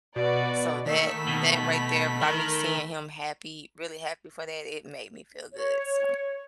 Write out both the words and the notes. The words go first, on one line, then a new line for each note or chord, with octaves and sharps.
So that that right there, by me seeing him happy really happy for that it made me feel good. So
B2 F#4 B4 D5
D#3 A3 A#3 C#6 E6 B6
B2 B5
D#3 A#4
C#5